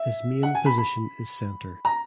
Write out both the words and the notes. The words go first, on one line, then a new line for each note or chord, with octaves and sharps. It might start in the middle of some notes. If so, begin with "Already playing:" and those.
His main position is centre.
Already playing: E5
F#5
G#5
B5
B5
A#5